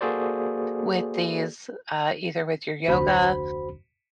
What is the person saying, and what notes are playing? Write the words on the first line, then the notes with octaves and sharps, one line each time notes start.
with these uh, either with your yoga
A#3 F#4 G#4 A4 C5 D5
F1 D2 F#4 C5 B5